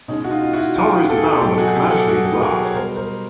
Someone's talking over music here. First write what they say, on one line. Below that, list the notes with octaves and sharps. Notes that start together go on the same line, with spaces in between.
Stories abound of Komachi in love.
B2 G#3 C#4 D#4
F#4
D#4 F4
F4
E4 F#4
F4 G4
A4
G#4
G4 A4
B2 F#3 G4 A4
A4
F#4 G#4
G4 A4
G#4
G4 A4
F#4 G#4
G4 A4
B4
G#4 A#4
C#5
B2 G3 A#4 C5
A#4 C5